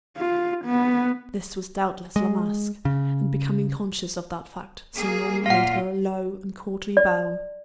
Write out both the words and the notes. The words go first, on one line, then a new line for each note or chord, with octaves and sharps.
This was doubtless La Masque, and becoming conscious of that fact Sir Norman made her a low and courtly bow.
F4
B3
G#3
C#3
A#3 G#4
A#2 A#3 F4 F5 F#5
D5